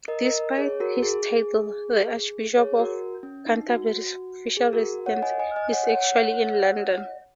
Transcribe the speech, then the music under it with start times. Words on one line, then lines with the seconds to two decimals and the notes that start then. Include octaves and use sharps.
Despite his title, the Archbishop of Canterbury's official residence is actually in London.
0.08 A#4 D#5
0.25 A#4 D#5
0.58 G#4 C#5
0.80 F#4 A#4
1.02 G#4
2.57 G#4 C#5
2.79 F#4 A#4
3.23 C#4
3.46 D#4
3.68 F#4
4.57 G#4
4.73 F#4 A#4
5.06 C#5 F#5
5.22 D#5 G#5
5.39 D#5 G#5
5.56 D#5 G#5
5.72 C#5 F#5
5.89 C#5 F#5